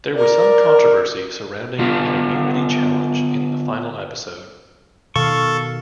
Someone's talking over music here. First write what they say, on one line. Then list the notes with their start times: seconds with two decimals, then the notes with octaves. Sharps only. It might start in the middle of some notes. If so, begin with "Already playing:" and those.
There was some controversy surrounding an immunity challenge in the final episode.
0.16 A#4 D5
1.79 D3 B3 F4 G4
5.16 B2 D#3 A4 F5 C#6